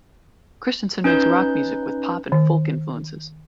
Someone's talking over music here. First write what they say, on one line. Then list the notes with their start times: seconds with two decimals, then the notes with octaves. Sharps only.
Christensen makes rock music with pop and folk influences.
1.04 C#4 D#4 B4 G6
2.32 D#3